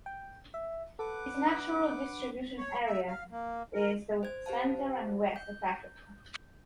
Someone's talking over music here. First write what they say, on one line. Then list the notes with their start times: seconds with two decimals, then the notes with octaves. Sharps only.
Its natural distribution area is the center and west of Africa.
0.06 G5
0.54 E5
0.99 A4 B4 F#5 D6
1.34 D4
2.58 C#5
2.87 E5
3.08 F5
3.32 A#3
3.74 A#4
4.23 C5 G#6
4.46 G4 C5 F5 A5
5.36 G6